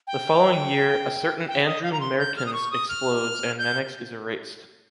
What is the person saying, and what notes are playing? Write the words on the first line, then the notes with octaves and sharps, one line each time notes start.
The following year, a certain Andrew Mehrtens explodes and Mannix is erased.
G5
G5
D#5
F5
A#5
C6
G6
F6
D#6
C#6
D#6
F6
G6